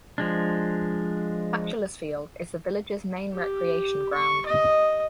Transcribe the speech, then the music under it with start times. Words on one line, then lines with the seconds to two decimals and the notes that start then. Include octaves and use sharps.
Batchelor's Field is the village's main recreation ground.
0.18 F3 G#3 D4
3.33 G4
4.14 C#6
4.46 D#5